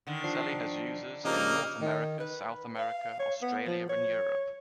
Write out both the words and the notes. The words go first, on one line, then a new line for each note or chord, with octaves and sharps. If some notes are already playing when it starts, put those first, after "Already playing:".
Selly has users in North America, South America, Australia, and Europe.
D3 D#3
F3 D4 C7
C#3 F3 A#3 D#4 G4
D#3
B4
F5
C#5
B3
F3
C#5